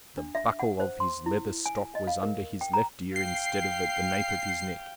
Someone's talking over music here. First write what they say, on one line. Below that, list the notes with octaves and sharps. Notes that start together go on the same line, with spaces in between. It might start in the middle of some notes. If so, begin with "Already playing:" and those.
The buckle of his leather stock was under his left ear instead of at the nape of his neck.
D4
E5
F#5
C5
C6
E4
G#5
D#5
F5
A#4
G5
A#5
F5 G5 C7